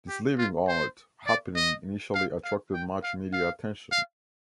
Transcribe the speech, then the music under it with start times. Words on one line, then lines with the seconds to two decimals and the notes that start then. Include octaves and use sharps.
This "living art" happening initially attracted much media attention.
0.09 G4
0.38 F4
0.68 C5
1.27 D5
1.56 D#5
2.15 F5
2.44 F5
2.74 G5
3.03 F5
3.33 F5
3.92 F5